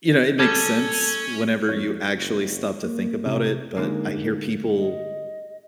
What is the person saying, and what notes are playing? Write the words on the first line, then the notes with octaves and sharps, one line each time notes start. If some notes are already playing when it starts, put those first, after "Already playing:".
you know, it makes sense whenever you actually stop to think about it. But I hear people,
G3 C#4 A4 G#6
F2 C#5
F#1
A#3
F1 C3
D3 G#3 A#3 D#4
D#5